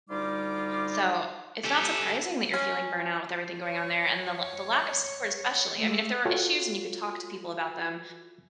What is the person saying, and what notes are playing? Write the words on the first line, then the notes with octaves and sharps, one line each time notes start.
So it's not surprising that you're feeling burnout with everything going on there and the l the lack of support, especially. I mean, if there were issues and you could talk to people about them
D2 G3 D#4 F4 D6
G4 A4
C#4
C#5
G#3 A3
F4 F#4 A4 C#5 G5